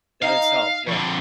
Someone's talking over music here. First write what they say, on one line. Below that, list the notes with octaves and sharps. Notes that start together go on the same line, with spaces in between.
that itself. Yeah.
D#4 F5
F2 D3 C#6